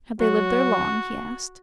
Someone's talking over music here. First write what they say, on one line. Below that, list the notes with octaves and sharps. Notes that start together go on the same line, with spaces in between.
"Have they lived there long?" he asked.
F#3 F#4